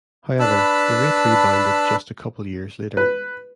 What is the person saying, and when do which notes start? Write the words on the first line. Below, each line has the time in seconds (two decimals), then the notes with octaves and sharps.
However, the rate rebounded to just a couple years later.
0.39 D4 B4 A5 B5 E6
2.97 B4